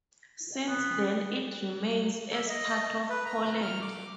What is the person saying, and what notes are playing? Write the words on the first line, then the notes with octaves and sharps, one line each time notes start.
Since then it remains as part of Poland.
B3 C#4
E5
D#5
B4
A#5
F6
D6